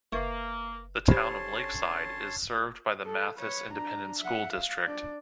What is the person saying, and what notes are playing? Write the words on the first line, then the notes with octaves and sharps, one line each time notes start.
The Town of Lakeside is served by the Mathis Independent School District.
F#1 A#3 B4 E5 C#6
D3 C#4 G4 C5 C#5 A5 B5 C6
A4
B4 C#5
D4 A#5
E5 F#5
F5
D4 D5